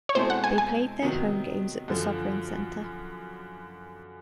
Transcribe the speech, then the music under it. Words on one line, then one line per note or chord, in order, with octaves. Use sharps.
They played their home games at the Sovereign Center.
C#5
B2 G#3 C4 E4 A4 C5
F#5
G#5
G#5
C3 D#3 F#3 B3
F#2 D3 F3